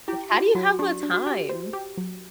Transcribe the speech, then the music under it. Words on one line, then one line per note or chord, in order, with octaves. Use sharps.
Like, how do you have the time?
E4 G4
F#4 G4
F#3 F#4
D4 G4
D4
F#4
G4
C5
G4
F#3